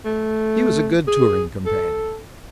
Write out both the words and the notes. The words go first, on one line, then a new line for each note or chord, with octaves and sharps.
He was a good touring companion.
A3
G#4
A4